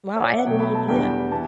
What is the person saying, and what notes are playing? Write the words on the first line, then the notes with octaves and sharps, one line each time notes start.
Wow, I had no idea.
C#5
D5
E5
F#5
B2 F#3 A3 G5
B5
A5
E2 D3 G3 B3 G5
E3 B3 A5